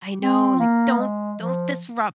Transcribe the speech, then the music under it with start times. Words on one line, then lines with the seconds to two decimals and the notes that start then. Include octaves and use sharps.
I know, like, don't don't disrupt
0.21 C4
0.59 A#3
0.98 G#3
1.39 F3